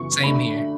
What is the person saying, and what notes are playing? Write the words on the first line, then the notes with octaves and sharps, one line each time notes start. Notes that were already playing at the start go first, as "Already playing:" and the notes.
Same here.
Already playing: F#2 C#3 E3 B3 C#6
D3 A3 D4 B5